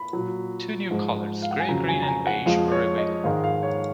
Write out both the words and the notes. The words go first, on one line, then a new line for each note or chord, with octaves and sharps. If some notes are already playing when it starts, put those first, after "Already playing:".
Two new colours, grey-green and beige, were available.
Already playing: B5
A#2 F#3
G#2 F3 G#3
F5
F#5
G#5
F2 C#3 F#3 A#5
G#5
A#5
G#5
F#5
F2 F3 G#3 F5
C#5
D#5
G#2 D#3 G#3 F5
F5
C#5